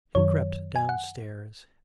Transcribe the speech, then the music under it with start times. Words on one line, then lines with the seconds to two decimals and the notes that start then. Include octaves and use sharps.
He crept downstairs.
0.15 F#2 D#3 F#3 C#5
0.76 G#5
0.89 F#5